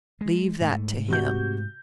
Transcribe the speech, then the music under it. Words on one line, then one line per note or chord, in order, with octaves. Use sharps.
"Leave that to him."
G#3
G#2 A3
C3 F#4 G6